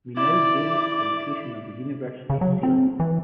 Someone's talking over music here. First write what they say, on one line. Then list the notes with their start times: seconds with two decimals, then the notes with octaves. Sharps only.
Mainau Bay is the location of the university sailing club.
0.17 E4 D5 D6
2.30 C#3
2.41 F#3
2.63 C4
3.00 E3